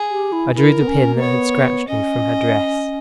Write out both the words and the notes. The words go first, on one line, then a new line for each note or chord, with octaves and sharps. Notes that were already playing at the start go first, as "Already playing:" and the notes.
I drew the pin that had scratched me from her dress.
Already playing: G#4
G4
E4
E4 A#4
B3
C#4
A#3
B3 C#5
C#4 D#5